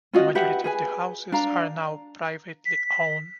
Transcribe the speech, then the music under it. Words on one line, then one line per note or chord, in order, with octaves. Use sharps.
The majority of the houses are now privately owned.
C#4 F4 F#4 D#5
G4 B4 E5 F#5
G#4 B4 G#5
D4 F5 A#5
B6